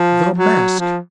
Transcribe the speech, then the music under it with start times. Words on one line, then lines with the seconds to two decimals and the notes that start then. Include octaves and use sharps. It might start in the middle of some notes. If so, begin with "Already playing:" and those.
The mask!
Already playing: F3
0.38 F#3
0.79 F3